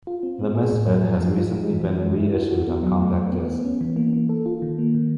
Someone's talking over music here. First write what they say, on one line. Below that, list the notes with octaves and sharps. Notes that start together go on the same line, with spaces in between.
"The Misfit" has recently been re-issued on compact disc.
F4
C4
B3
G#4
A2
F#3
F3
F3
F4
G3
E3
E3
G#3
E4
F#4
F#4
B3
F#3
A3
A3
B3
B3
C#4
E3
A#3
A#3
A4
F4
D#3
A#3
D#3